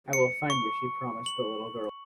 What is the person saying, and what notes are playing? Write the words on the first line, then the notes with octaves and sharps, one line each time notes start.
"I will find you.", she promised the little girl.
C#7
C#6
F#7